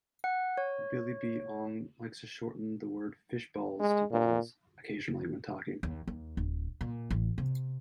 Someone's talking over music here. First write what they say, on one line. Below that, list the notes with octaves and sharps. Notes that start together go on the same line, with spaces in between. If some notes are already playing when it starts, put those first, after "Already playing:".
Billy B. Ong likes to shorten the word "fishballs" to "balls" occasionally when talking.
F#5
C#5
G#3
A#2
D#2
D#2
D1
A#2
A1
C3